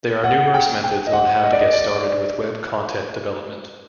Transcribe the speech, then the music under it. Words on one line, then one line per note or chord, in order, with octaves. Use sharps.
There are numerous methods on how to get started with web content development.
F#5
G5
G5
D#5
F#5
D#5
D5
D#5
D5